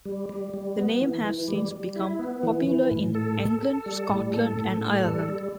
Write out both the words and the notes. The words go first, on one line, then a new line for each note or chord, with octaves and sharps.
The name has since become popular in England, Scotland and Ireland.
G3
G3
G3
B3
E3
E3
G3
G3
E4
B3
E3
E3
A2
A4
A4
A4
G3
A2
A4
A2
A4
G3
G3